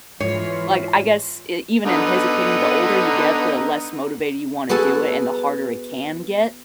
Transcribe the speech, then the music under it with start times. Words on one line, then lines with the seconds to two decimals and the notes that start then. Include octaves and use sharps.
like, I guess e even in his opinion, the older you get, the less motivated you wanna do it and the harder it can get
0.20 G#2 E3 G#3 F4 C#5 C7
1.86 D3 B3 D#4
4.69 B3 F#4 G#4 A4 G#5 A5